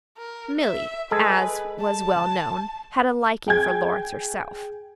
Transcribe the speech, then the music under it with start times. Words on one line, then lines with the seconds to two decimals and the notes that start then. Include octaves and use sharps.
Milly, as was well known, had a liking for Lawrence herself.
0.17 A#4
0.59 E5
1.11 G#3 G#4 A4 B4
1.80 A5
3.47 G#4 G5 G#5 G#6